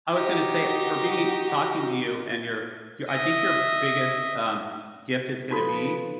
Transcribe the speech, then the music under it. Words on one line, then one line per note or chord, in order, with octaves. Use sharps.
I was gonna say, for me, talking to you and your your I think your biggest g um, gift is gonna be,
D#4 F#4 G4
D#5 E5
F3 D#4 F#4 A4 B4 B5